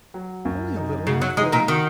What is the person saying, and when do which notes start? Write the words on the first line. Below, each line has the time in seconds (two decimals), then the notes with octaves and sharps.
"Only a little--not very."
0.14 F#3
0.45 F#2
0.76 D#4
1.06 C#3 F#4
1.22 F#3
1.37 G#3 D#4
1.52 A#2 A#3
1.68 D#3 F#4